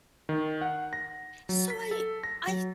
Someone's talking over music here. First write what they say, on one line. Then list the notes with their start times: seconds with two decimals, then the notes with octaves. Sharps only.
so, I I
0.29 D#3
0.61 F#5
0.93 A#6
1.49 F#3
1.70 B6
1.91 A4
2.24 A#6
2.47 F#3